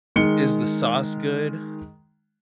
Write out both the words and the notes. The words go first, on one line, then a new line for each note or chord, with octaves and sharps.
Is the sauce good?
D#3 G#3 C#7 G7